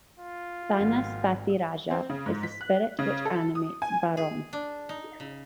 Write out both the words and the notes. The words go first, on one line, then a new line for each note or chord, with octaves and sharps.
Banas Pati Raja is the spirit which animates Barong.
F4
G#1 F3
C4
C#3
G#2
B6
F#6
C#3
A4
D#6
G#5
G#4
D4
D#4
C#3